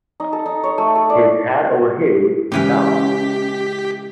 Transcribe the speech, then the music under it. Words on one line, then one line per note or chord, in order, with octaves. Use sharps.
He’s head over heels in love.
D#4
A4
D#4
C#5
A3
A4
D5
C#3 E3 G#3 A#3 C#4 G4 F5 B6